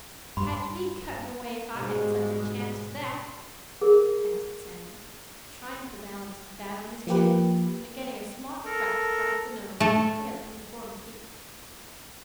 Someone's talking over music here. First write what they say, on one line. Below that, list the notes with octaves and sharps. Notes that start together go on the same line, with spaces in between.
"Catch me cuttin' away if I had such a chance as that!" answered Sam, trying to balance his bat on his chin and getting a smart rap across the nose as he failed to perform the feat.
G2 B5 C6
G#2 B2 G3 G#3
G#4 A#4
F3 A#3 G4 B4
A4 A#4
A3 A4